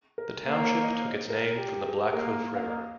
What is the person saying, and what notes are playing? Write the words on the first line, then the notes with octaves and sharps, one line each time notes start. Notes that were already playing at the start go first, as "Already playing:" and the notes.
The township took its name from the Blackhoof River.
A#4
A#3 C5
C#5
D#5
C5
A#4
G4
G#4
A#3 A#4
F5
D#5